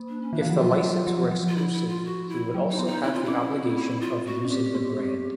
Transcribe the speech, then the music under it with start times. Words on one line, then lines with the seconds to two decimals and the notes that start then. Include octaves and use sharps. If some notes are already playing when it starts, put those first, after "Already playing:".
If the license were exclusive, he would also have the obligation of using the brand.
Already playing: A#3
0.09 D4
0.22 C#4
0.33 D#3 D4
0.41 E3
0.46 F3 E4
0.58 F#3 F4
0.77 F3
0.83 F#3
1.07 F3
1.31 F3
1.49 F4
1.56 E4
1.72 E4
1.89 F4
2.05 F#4
2.29 E4
2.54 F#3
2.70 D#4
2.79 B3
2.86 D#4
3.03 C4 E4
3.14 F4
3.25 C#4 E4
3.52 C4
4.01 F4
4.25 F#4
4.45 C#4
4.50 C4 G4
4.75 B3
4.99 C4